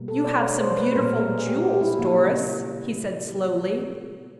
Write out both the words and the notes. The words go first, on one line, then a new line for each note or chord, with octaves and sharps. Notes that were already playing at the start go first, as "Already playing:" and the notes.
"You have some beautiful jewels, Doris," he said, slowly.
Already playing: B2 G3 A#3
A4
D5
C#5
C5
B4
A#2 G3 A#3 A#4
G#4
G4
G4
E4
C#3 F#3 A#3